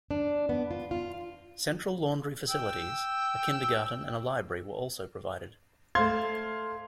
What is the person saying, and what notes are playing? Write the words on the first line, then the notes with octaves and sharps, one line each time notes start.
Central laundry facilities, a kindergarten and a library were also provided.
D4
B3
F4
F4
G5 E6
A3 C5 F5 C6 G#6